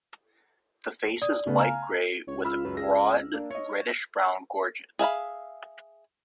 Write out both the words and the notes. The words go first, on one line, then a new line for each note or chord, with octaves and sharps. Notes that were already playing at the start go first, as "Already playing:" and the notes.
The face is light grey with a broad reddish-brown gorget.
D5 D#6
C#3 A3 B3
F5 G#5 A#5 F6
C#2 C#5
F4 B5 E6 F6
F#2 B4
G#4 A#6
A#3 D4
C#5 D#5 C#6
G#4 E5 F5 B5